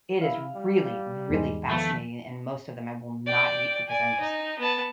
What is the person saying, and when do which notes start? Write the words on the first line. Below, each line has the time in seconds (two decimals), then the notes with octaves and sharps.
it is really, really fascinating and most of them I will not eat because I'm just
0.21 E4 F5
0.56 G3
1.30 E2 G#2 G#3
1.69 D#3 F3 A3 B3
3.27 D5 G5
3.88 D5 G#5
4.21 D#4
4.59 B3 A5